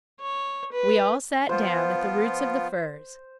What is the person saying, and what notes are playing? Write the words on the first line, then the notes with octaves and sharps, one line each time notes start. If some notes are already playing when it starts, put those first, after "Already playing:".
We all sat down at the roots of the firs.
C#5
B4
F3 B3 F4 C5